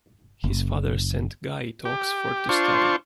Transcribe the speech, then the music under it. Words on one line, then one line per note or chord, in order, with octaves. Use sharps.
His father sent Ghai to Oxford to study.
F#1
G4
D4 F4 C5 C#6